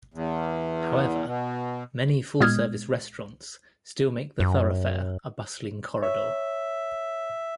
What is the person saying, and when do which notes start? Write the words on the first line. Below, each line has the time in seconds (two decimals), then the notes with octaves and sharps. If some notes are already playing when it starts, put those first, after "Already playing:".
However, many full-service restaurants still make the thoroughfare a bustling corridor.
0.14 E2
1.25 B2
2.40 A#2 G#3 B3 D#6 F6 G#6
4.40 F#2
6.02 C#5 E5